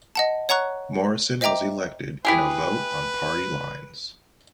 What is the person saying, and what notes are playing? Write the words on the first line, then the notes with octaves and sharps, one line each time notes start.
Morrison was elected in a vote on party lines.
D#5 F#5 A5
C#5 F#5 A#5 C#6 F#6
C5 D#5 E5 G5 A#5 D6
E4 G4 G#4 B4